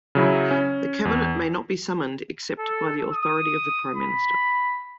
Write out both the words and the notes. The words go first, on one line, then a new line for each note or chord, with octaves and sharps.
The Cabinet may not be summoned except by the authority of the Prime Minister.
C#3 F#3 E4
C#4
E2
A4
D#6
B5